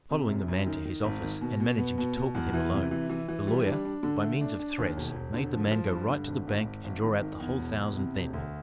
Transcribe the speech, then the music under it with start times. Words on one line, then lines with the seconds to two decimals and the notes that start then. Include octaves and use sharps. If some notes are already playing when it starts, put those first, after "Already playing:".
Following the man to his office and managing to talk with him alone, the lawyer, by means of threats, made the man go right to the bank and draw out the whole thousand then.
0.10 C3
0.29 F#2
0.48 F#2
0.66 D#3
0.85 D#3
1.04 G#1
1.23 D#3
1.41 B2
1.60 B2
1.78 B3
1.98 B2
2.17 B2
2.35 E2
2.53 E3
2.72 C3
2.91 E3
3.09 E3
3.28 E3
3.47 G3
3.66 D4
3.85 D4
4.03 D3
4.22 A3
4.41 D4
4.59 D4
4.78 D#2
4.97 E1
5.15 E1
5.34 D3
5.53 F3
5.72 F3
5.91 G2
6.09 D3
6.28 G#1
6.47 G#1
6.65 G#1
6.84 G#1
7.03 D#3
7.21 D#3
7.40 E2
7.59 E1
7.77 E2
7.96 C3
8.15 E1
8.34 D2